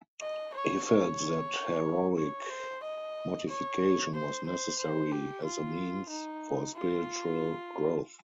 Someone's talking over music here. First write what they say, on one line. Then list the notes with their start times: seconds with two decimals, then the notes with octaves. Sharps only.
He felt that heroic mortification was necessary as a means for spiritual growth.
0.21 D#5
0.54 C#5
0.86 C#5
2.17 C#5
2.49 C5
2.83 D#5
3.48 C#5
4.14 C5
4.47 C5
4.79 C5
5.12 G4
5.45 F4
6.09 D#4
6.75 F4